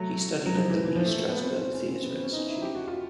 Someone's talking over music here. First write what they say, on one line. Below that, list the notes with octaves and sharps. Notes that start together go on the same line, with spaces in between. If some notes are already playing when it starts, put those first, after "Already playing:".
He studied at the Lee Strasberg Theater Institute.
Already playing: F#3 A3
F#3
F3
E3
E3
F3
A3
A#3
B3
C4
C#4
C#4
C4
B3
C4
C#4
D#4
E4
G4
F#4
F4